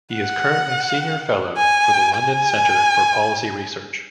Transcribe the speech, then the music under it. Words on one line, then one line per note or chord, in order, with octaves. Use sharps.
He is currently Senior Fellow for the London Center for Policy Research.
F#5
G#5
G#5